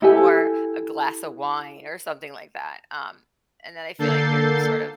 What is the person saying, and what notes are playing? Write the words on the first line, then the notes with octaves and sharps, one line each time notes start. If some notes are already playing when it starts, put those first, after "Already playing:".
Or a glass of wine or something like that, um, and then I feel like you're sort of
E4 G4 A4 G#5
D3 A#3 A4 G6 A6 C7